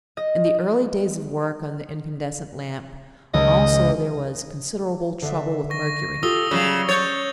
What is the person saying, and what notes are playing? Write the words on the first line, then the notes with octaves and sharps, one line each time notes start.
In the early days of work on the incandescent lamp, also, there was considerable trouble with mercury.
D#5
C#2 D#5
D3 E5
C#6 A#6
F4 G4 A4 D#6 E6 G7
C#3 F#3 G3
C#5 G6 A6